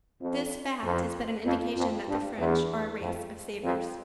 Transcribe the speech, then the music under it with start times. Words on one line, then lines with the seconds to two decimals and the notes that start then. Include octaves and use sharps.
This fact is but an indication that the French are a race of savers.
0.21 F2
0.83 F2
1.45 F2
1.76 F2
2.08 G2
2.39 E2
3.00 F2
3.63 F2